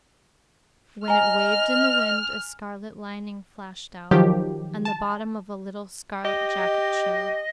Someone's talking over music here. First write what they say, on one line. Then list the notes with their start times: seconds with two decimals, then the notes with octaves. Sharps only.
When it waved in the wind, a scarlet lining flashed out, and the bottom of a little scarlet jacket showed.
1.08 D#5 G#5 A#5 F6
4.11 D#3 F3 F#3 G4
4.85 A5
6.25 G4 D#5